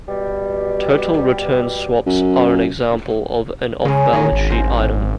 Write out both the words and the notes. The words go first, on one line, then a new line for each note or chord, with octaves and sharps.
Total return swaps are an example of an off-balance sheet item.
B2 G3
F#2
C#3 G#3 C#4
D#3 C#5 D#5
G#1
F#2 A#4 C5